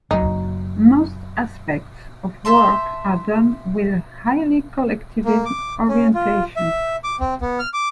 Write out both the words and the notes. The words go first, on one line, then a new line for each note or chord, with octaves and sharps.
Most aspects of work are done with a highly collectivist orientation.
F#1 F#3 D#4
C5 E5 A5 C6
A#3
D6
C#4
F4
E5
D6
C4
B3
F6
D6